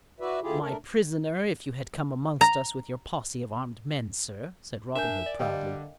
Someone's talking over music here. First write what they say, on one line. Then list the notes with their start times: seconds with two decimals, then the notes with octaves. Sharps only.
"My prisoner if you had come amongst us with your posse of armed men, sir," said Robin Hood proudly.
0.20 E4 F#4 B4 D5 E5
0.42 D2 D3 E4 F4 G4 G#4
0.61 A3 D4 A#4
2.41 A#5
4.95 D4 A#4 E5 G#5 G6
5.26 D5
5.39 D3 G3 D#5 F5 G5